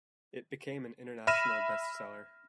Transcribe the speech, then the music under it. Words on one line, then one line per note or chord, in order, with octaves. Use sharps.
It became an international bestseller.
E5 B5 F6 A#6 D#7 E7